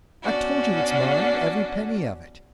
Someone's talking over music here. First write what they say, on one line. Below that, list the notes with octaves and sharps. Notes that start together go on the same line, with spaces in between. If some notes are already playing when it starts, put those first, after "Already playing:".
"I've told you it's mine, every penny of it!"
B2 C#4 D4 F#4